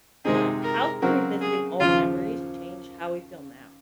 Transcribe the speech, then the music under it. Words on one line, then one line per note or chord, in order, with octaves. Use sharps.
um, how can revisiting old memories change how we feel now?
C3 D#3 G#3 C4 D#4 G#4
A#4
C#3 F#3 C4 F#4 A#4
G#4
D#2 C#3 F3 F4